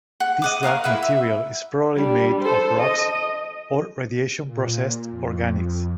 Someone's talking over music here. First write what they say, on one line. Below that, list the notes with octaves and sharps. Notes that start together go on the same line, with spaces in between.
This dark material is probably made of rocks or radiation-processed organics.
F#5
D#5 F#5 D6
A#4 F5 F#5 C#6
E4 B4 E5 F#5
E5
G3 D4
A4 C5
D#5
A#2
F2